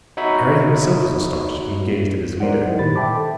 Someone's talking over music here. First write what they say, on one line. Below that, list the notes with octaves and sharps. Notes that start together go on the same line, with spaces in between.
Harry himself was astonished, and he gazed at his leader.
D#4 F#4 C#5 E5 B5
A#4 C5 D5 F#5
F#3 D#4 E4 G4
G2 A#2 D#3 C5 B5 A6
E5 G5 A5 B5 D6
A4